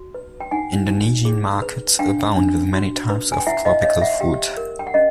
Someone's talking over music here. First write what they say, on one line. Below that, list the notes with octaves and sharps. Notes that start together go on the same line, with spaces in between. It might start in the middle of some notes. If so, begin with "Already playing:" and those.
Indonesian markets abound with many types of tropical fruit.
Already playing: F#4
B4
G5
D#4 F#5 G#5
D#4
G#4
B4
D4 F5 G5
D4
F#4
B4
G#5
G5
E4 E5 F#5
D#5 F5
C#5 D#5 F5
E5 F#5
G4 F5 G5
A#4
G5
F#5
C#4 D#5 F5